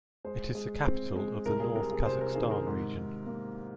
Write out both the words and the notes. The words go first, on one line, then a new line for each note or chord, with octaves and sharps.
It is the capital of the North Kazakhstan Region.
G#3 C5
G#3
C4
G#3
C2 A#4
G#4
C3 A#4
G#4
C3 C5
A#4
D#3 G#4
A#4
G#2
G#2
A#3